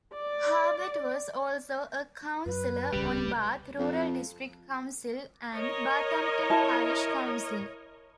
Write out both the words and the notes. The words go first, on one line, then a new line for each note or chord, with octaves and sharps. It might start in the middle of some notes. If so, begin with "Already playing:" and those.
Harbutt was also a councillor on Bath rural district council and Bathampton parish council.
D5
F#2 F#3 B4
D1 C2 C#3 G3
F2
A#4 C#5 D#5
E4 A5